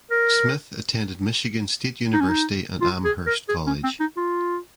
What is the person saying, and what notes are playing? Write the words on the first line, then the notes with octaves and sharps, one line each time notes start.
Smith attended Michigan State University and Amherst College.
A#4
D#4
C#4
D#4
F4
G#4
A#4
G#4
C#4
C4
D#4
F4